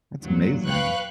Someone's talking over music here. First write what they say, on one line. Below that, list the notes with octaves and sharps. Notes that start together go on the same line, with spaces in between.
That's amazing.
E2 G2 A#2 F#3
B4 F5 G5 C#6 F#6